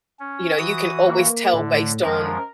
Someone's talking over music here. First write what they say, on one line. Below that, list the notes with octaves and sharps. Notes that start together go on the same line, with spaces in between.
you know, you can always tell based on,
C#4
E3 F#4 D#6
A#3
A2 D3
F#2 F3 G#3 A#4